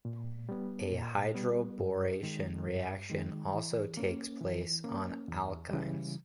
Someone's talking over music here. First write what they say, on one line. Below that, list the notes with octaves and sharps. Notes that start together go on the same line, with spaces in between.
A hydroboration reaction also takes place on alkynes.
A#2
G3 B3
A#2
G3 B3
G2
D#3 G#3
G2
D#3 G#3
E3
A#3 C#4
E3
A#3 C#4
E2
C#3 E3 G3